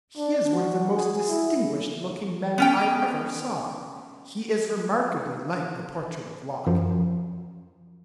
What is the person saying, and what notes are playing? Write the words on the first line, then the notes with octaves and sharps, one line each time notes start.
He is one of the most distinguished-looking men I ever saw. He is remarkably like the portrait of Locke.
D4
F#4
G#4
E4
B3 C#4 G5
F#2 F3